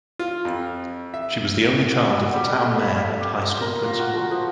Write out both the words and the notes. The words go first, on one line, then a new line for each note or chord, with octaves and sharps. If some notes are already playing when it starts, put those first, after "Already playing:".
She was the only child of the town mayor and high school principal.
F4
F2
E5
F#4
G3
A4
B5
F5
G4
C6
A#4
F4
F#4
F3